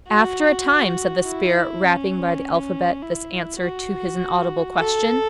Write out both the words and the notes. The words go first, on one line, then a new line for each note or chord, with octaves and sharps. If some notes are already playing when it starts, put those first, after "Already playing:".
"After a time," said the spirit, rapping by the alphabet this answer to his inaudible question.
F#4
E4
C#4
E4
F#4
A4